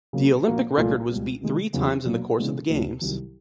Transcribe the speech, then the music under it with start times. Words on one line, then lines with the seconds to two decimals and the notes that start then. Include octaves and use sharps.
The Olympic record was beat three times in the course of the Games.
0.13 C#3 F#3 A#3
0.45 A#2 F3 A#3 D4 F#4
0.77 C2 A#2 F3 A3
1.09 C#2 B2 G3
1.41 C3 D#3 G#3
1.73 E2 C#3 F#3 B3
2.05 B2 F#3 A#3 D4
2.37 C#3 E3 G#3 B3 D4
2.69 D2 C#3 F3
3.01 C2 C3 D#3 F#3